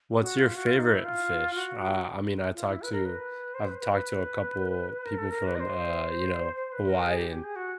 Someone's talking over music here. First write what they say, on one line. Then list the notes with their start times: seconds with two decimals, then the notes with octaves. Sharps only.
what's your favorite fish? Uh, I mean, I talked to I've talked to a couple people from, uh, you know, Hawaii, and
0.21 F#4
0.38 F4
0.55 F#4
0.66 F4
0.79 D#4
0.92 E4
1.04 F4
1.55 F#4
2.54 F4
2.67 E4
2.82 B4
2.92 A#4
3.05 B4
3.54 C5
3.68 B4
3.80 B4
3.92 B4
5.05 A#4
5.18 A4
5.31 A#4
5.47 B4
5.55 D#5
5.60 C5
6.56 C5
6.72 B4
6.89 A#4
7.05 G#4
7.18 G4
7.31 G4
7.44 G#4
7.56 F#4